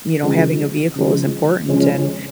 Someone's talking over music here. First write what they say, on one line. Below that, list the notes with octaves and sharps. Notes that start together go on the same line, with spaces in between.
you know, having a vehicle is important, and,
C#3 F3 G#3
C#3 F3 G#3
C#3 F3 G#3 C#4